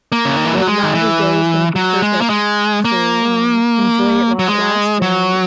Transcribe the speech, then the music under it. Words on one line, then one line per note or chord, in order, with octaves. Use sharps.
well, not every day is gonna be perfect, so, um, enjoy it while it lasts and
A#3
C#3
D#3
E3
F#3
G#3
D#3
E3
F#3
G#3
A#3
G#3
A#3
F#3
G#3
F#3